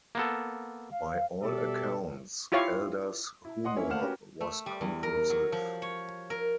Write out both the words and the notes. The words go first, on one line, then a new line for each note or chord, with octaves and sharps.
By all accounts, Elder's humor was compulsive.
A#3 B3 A4
F5
B2 G3 G4 A4 D5 E5
E4 F4 G4 C#5 F5 C#6
E4
D#5 F#5 C6 D#6
A#3 C#4 E4 C#5 G#5
A3 A#3 F5 F#5 F6 E7
C#4 F#4 G4 A#4 B4
A3
G3
E2
A#4
F#3
F3
C#5
A#4